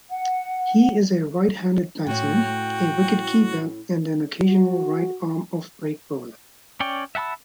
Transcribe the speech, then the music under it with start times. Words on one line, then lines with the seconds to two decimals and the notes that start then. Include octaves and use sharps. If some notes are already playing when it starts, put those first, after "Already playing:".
He is a right-handed batsman, a wicketkeeper and an occasional right-arm offbreak bowler.
0.10 F#5
2.06 A2 C#4 F#4 G5
4.45 F#4
6.80 C#4 C#5 D5 G5
7.15 E5 F#5 A5 B5 E6